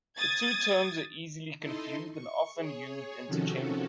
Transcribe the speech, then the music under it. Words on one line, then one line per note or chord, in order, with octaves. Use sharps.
The two terms are easily confused and often used interchangeably.
D#6 G#6 A6
D#4 E4 A4 D#5 C6
C#6
G#4 C#5
C3 D#3 F3 C#4 F#4 A4